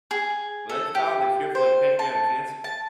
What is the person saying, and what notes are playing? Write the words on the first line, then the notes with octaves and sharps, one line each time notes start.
But, they found a cure for, like, pancreatic cancer.
G#4
A4
G4
C5
A5
A5